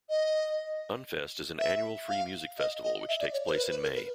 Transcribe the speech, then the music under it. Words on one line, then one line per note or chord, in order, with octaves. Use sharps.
Unfest is an annual free music festival which takes place in May.
D#5
E5
F5
D#5
D#5
E5
D5
C#5
C5
A#4
B4
B4
A#4
B4